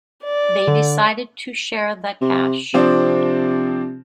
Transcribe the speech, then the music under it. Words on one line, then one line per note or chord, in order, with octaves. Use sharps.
They decided to share the cash.
D5
D3
C3
C3 F3 C4 D4